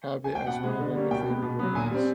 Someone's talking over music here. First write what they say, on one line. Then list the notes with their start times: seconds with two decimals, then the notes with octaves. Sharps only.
have it as one of, like, their favorite movies,
0.24 G#5
0.35 G5
0.47 B2 F#5
0.63 G#3 B3
0.80 D3
0.95 G3 A#3 C#4
1.11 B2 G5
1.27 G#3 B3
1.43 B2
1.59 F#3 B3
1.75 A#2 G#5
1.91 G3 C4